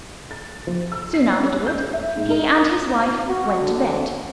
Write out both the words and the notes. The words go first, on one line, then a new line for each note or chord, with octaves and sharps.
Soon afterward, he and his wife went to bed.
A6
F3
E6
C7
C#4
G6
E5
G#2
A#4
F#4
D3